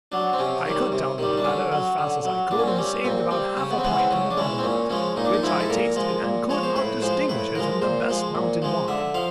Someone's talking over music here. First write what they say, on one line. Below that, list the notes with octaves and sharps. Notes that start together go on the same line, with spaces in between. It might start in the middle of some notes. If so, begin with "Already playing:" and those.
I cut down the bladder as fast as I could, and saved about half a pint in the bottom of it, which I tasted, and could not distinguish it from the best mountain wine.
F#3 D4
C4
C3 C#4
D#3 G3
C3
D#3 G3
D4
D3 C#4
F#3
D3
F#3
A#2 D4
C#4
C4
G3 C#4
A#2 C4
G3 C4
C#3 C#4
B3
C4
E3 G#3 B3
C#4
C4
C#3 C#4
D4
E3 G#3 C#4
C4
A#2 C#4
F3 G#3 C#4
A#2 D#4
D4
D#4
F3 G#3 E4
A4
A#2 A#4
F3 G#3
A#2
F3 G#3 C#5
C5
A2 B4
F3 G#3 C5
A2 B4
F3 G#3 A#4
A#2 C5
F3 G#3
A#2
F3 G#3
D3 E5
F3 F5